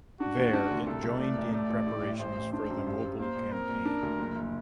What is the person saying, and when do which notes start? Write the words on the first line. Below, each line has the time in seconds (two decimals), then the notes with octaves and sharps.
There it joined in preparations for the Mobile Campaign.
0.20 D4 F#4
0.37 D#2
0.53 D4
0.70 D2
0.87 C2 A4
1.03 C2
1.19 A3 D5
1.37 A1
1.53 A3 D5
1.69 A1
1.87 A2
2.03 A2
2.19 A1 C5
2.36 A1
2.53 D4 C5
2.70 F#2
2.87 G2
3.03 G2
3.19 A#3 C5
3.36 A#1
3.52 C4 A#4
3.69 A#1
3.85 D4
4.02 D2
4.19 F#1
4.35 F#1